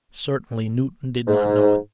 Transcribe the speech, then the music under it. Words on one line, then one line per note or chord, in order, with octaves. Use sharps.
Certainly Newton did not know it.
G#2